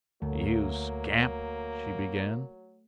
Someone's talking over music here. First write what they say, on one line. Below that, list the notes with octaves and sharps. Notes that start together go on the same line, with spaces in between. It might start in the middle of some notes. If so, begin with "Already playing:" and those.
"You scamp--!" she began.
D2 F#3 A3 A#3